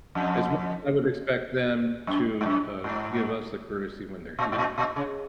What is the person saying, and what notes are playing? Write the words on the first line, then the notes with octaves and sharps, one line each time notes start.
as well, I would expect them to, uh, give us the courtesy when they're here.
F2
F#2
G#2
F#2
G#2
A#2
G#2
A#2
A#2
C#3